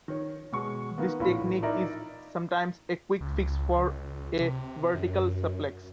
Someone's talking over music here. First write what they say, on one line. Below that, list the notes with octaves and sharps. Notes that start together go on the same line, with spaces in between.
This technique is sometimes a quick fix for a vertical suplex.
D#3 C#5
B2 G#3 C#6
D#3 A#3 B3
A#1 A2 E3 F4 B5
D#4 E4 A#4 D5 E5 A#5
C#2
C3
F#2